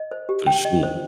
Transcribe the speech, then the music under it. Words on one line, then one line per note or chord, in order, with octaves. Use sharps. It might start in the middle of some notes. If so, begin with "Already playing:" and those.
For sure.
Already playing: D#5
C5
G4
G5
D#5
C5